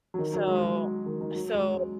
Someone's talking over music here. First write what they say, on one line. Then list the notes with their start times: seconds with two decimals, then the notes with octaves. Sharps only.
So, so
0.14 F#3
0.19 D#3
0.33 F#3
0.48 G#3
0.62 F#3
1.06 D#3
1.21 D#3
1.35 F#3
1.55 G#3
1.74 G#3